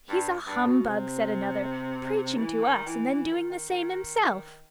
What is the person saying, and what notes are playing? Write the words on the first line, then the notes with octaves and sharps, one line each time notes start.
"He's a humbug," said another; "preaching to us and then doing the same himself."
G2
G2
B2
C3
E3
D#3
E3
E3
D#3
D#3
D#3